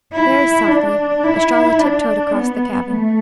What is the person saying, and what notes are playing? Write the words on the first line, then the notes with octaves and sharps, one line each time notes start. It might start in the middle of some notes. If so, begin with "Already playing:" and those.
Very softly Estralla tiptoed across the cabin.
E4
D4
E4
D4
B3
A3